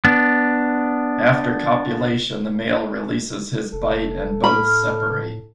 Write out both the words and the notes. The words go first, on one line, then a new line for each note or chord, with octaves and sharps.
After copulation, the male releases his bite and both separate.
B3 D4
F1 A4
A2 B5 F6